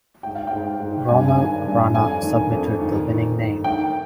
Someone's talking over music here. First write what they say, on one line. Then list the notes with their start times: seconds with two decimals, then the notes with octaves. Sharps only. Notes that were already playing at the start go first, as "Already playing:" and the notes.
Rommel Rana submitted the winning name.
0.23 G#2 G5
0.35 F5
0.47 G5
0.52 G#2
0.80 G#2
1.08 G2 G#5
1.28 G#5
1.38 D#3
1.66 G2
1.94 F2 G#5
2.22 D#3
2.50 F2
2.79 D#3
3.07 D#3
3.37 D#3
3.64 D#3 G5